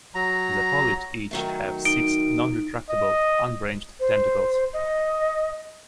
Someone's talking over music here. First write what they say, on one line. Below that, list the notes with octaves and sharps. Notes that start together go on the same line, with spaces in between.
The polyps each have six non-retractable, unbranched tentacles.
F#3 A#5
D#3 F#3 A3
D#4 D7
D#5
C5
D#5